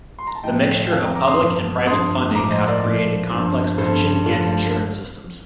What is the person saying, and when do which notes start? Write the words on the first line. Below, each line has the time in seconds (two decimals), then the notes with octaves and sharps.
The mixture of public and private funding have created complex pension and insurance systems.
0.19 C6
0.27 A#5
0.35 A5
0.44 A2 F3 D#5 G5
0.85 G5
0.92 F2 D#3 F5 A5
1.03 G5 A#5
1.15 A#5 D6
1.27 C6 D#6
1.39 G2 D3 F3
1.87 G2 F3 C6 D#6
2.35 A2 A#5 D6
2.39 F3
2.50 C5 D#5
2.67 A#4 D5
2.82 A#2 F3
3.30 G2 F3
3.78 G2 F3 A4 C5
4.26 G2 D3 F3 F4 A4
4.66 A4